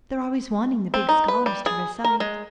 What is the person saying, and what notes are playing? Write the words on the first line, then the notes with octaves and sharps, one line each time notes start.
They're always wanting the big scholars to recite.
C4
D#4
B4
G3
G#4
A#4
G#3